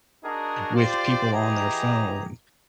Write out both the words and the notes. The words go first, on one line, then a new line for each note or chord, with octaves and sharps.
with people on their phone,
D4 D#4 F#4 G#4 A#4
F4 G4 C5 D5
E3 D#4 G4 G#4 A#5